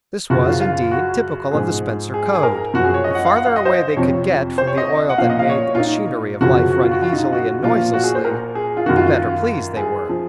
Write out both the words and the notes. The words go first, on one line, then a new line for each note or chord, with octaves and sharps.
This was, indeed, typical of the Spencer code--the farther away they could get from the oil that made the machinery of life run easily and noiselessly, the better pleased they were.
F#2 C#3 F3 F#4
F4
F4
F#4
G#2 F3 G#4
G#4
G#4
A#4
F#2 F3 F#4
G#4
C#5
D#5
F#5
F5
F#5
F5
D#5
C5
F2 C3 F3 C#5
C5
C#5
D#5
F#5
A#2 F3 F5
D#5
F5
C#5
F4
D#4
F#2 C#3 F3 F#4
F#4
F4
F#4
F4
D#4
F4
F#4
A#2 F3 F4
F#4
G#4
C5
A#4
G#4
F4
F#2 D#3 F#4
F4
F4
G#4
F3